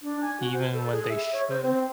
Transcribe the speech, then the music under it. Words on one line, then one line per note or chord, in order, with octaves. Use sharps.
even when they should.
D4
G#5
F#4
C5
A4
G#4
E5
C#5
C5
C4